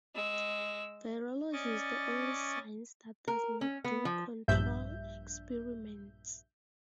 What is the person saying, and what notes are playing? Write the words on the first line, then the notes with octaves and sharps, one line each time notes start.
Virology is the only "science" that does not do control experiments.
G#3 E6
C#4 D5 D#5 C#6 A6
A#4
C#4
B3
F3
A#1 G2 E5 G6